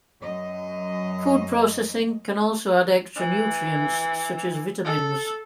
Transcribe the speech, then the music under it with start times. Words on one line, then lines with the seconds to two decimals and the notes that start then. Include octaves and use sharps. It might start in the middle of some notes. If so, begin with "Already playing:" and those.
Food processing can also add extra nutrients such as vitamins.
0.22 F#2 F#3 D#5
3.16 E3
4.84 A4